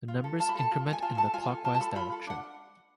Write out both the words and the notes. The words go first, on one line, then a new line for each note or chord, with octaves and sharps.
The numbers increment in the clockwise direction.
F4
A4
F4 A5
B5
A4 A5
F4
A4
G#5
F4 A5
A4 A5
F4 G#5
A4
F4 A5
A5
A4 B5
F4 B5
A4
D4 F#5